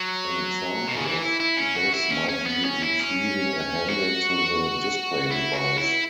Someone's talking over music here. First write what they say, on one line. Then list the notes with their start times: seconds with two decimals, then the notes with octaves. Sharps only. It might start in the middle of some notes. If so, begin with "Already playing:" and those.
An example of this might be retrieving a handle to the display device.
Already playing: F#3
0.88 B2
0.97 C#3
1.04 E3
1.22 E4
1.40 E4
1.57 C#4
1.75 F#4
1.94 E4
2.10 C#4
2.29 C#4
2.46 B3
2.65 C#4
2.82 E4
3.00 C#4
3.88 F#4
5.31 E4
5.53 F#4
5.78 E4